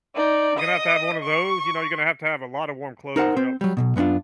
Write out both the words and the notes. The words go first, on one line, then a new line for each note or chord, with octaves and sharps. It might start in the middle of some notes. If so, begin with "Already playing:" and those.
You're gonna have to have one of those, you know, you're gonna have to have a lot of warm clothes or else
D#4 D5
D#5 D#6
C#6
D#4 A#4 C5 F#5
C4 C5
F#3 G3
B1 G#2 B2
F#2 B3 C4 D4 F4